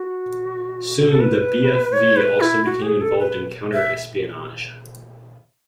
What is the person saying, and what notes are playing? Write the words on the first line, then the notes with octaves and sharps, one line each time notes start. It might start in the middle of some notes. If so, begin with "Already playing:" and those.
Soon the BfV also became involved in counter-espionage.
Already playing: F#4
A4
B4
C#5
B4
E4
F#4
G#4
A4
B4
E5